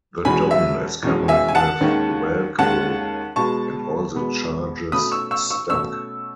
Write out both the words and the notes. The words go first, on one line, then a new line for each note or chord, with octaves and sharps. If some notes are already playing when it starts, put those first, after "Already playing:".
The don is covered with Velcro, and all the charges stuck.
E2 B2 G#3 C#4 G#5 B5
E5
E2 B2 G#3 C#4
E5 G#5
G#5
F#5 A5
D#2 D#3 G#3 C#4
D#2 D#3 G#3 C#4 F#5 A5
B2 G#3 B3 A5 C#6
B2 G#3 B3
B2 A3 C#4 B5 D#6
C#6 E6
C#6 E6
C#6 E6
B2 A3 C#4 C#6 E6